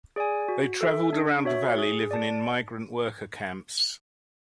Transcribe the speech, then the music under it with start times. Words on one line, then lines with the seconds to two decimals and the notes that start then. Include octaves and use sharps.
They traveled around the valley living in migrant worker camps.
0.16 G#4 D5 G#5
0.48 F#4
0.81 A4 E5
1.13 D4
1.45 F#4 C#5 E5
1.78 G#4
2.11 D5 A5